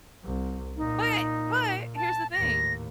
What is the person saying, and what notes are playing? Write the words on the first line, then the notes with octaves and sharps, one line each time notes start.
But but here's the thing,
C2
A#2 D#4
A5
D#2 A2 A#6